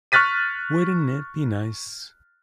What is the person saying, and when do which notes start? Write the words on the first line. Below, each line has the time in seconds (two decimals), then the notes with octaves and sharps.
Wouldn't it be nice?
0.12 C#6 F6 F#6 A6 B6 D#7